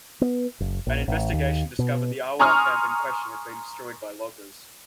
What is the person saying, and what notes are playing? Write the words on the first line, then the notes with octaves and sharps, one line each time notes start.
An investigation discovered the Awa camp in question had been destroyed by loggers.
B3
F#1
A#1
A1
D#2
B2
G#5 A#5 C6 C#6 D#6 F6